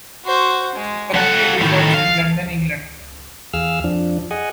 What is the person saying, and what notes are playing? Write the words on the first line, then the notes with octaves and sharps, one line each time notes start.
She currently resides in London, England.
F#4 C5
G#3
F3 A4 F#5
A2 D#3
F5
E2 G#4 F5 E6 F6
F2 F3 D4
G#4 D#5 F#5 G#5